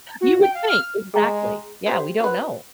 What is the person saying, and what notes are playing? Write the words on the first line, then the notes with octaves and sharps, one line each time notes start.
You would think. Exactly. Yeah. We don't know.
F#4
G5
F5
F6
G#3 G#4 G5 A#5
G4 C5 F5
F#3 B4